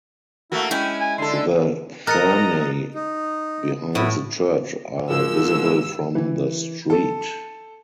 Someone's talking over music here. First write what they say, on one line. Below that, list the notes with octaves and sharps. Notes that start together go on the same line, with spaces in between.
The thermae behind the church are visible from the street.
A3 A#3 E4 F#4
G#3 C#4 E4 G#4 G5
G#5
D3 A4 C6
A#4 D#5 A#5 F#6 A6 C#7
D#4
A2 B3 E4
G#2 F3 F#4 G#4 A#4 E6
E3
A4